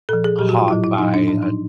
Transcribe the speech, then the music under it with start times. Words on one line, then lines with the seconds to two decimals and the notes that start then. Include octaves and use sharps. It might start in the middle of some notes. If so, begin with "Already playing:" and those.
taught by a
0.09 A#2 F3 A4
0.24 G#4
0.39 A#2 F#3 G4
0.49 F#4
0.58 F4
0.68 A2 F#3 E4
0.84 E4
0.98 A#2 F#3 D#4
1.14 D4
1.28 A2 F3 D4
1.43 D#4